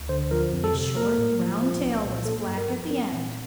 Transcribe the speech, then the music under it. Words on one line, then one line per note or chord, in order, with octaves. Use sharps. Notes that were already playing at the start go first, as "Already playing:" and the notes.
His short, round tail was black at the end.
Already playing: D2
D3 C5
F3 A#4
F2
A4
C3
A#3 A#4
A2
F3
F3
C2
A#2
A#3 A4
G2
A#4
F3
C4 A#4
A#2